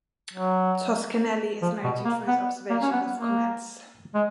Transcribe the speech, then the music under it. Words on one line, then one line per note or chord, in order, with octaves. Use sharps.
Toscanelli is noted for his observations of comets.
F#3
F3
B2
A#3
B3
A#3
C#4
B3
A#3
G#3